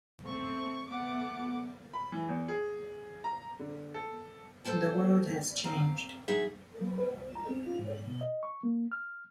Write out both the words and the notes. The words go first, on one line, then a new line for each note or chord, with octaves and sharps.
The world has changed.
A3 C4 C#6
A3 B3 F#5 D6
B5
E3
E2
G#4
A#5
D3
A4
A4 A#4 C5 G5 A5
C4 F5 A#5
E2 F#3 D#4 G#4 E5
F#3
B4
C2
A#5
C4
F4
G#2
B2
D#5
C#6
A#3
F6